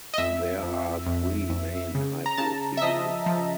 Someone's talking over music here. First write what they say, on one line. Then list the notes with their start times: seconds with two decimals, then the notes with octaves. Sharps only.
There are three main hypotheses.
0.14 D#5
0.18 F2 E5
0.63 F2
1.06 F2
1.50 F2
1.95 C#3
2.26 A#5
2.37 C#3 A5
2.77 E5
2.82 F3 D#5
3.26 F3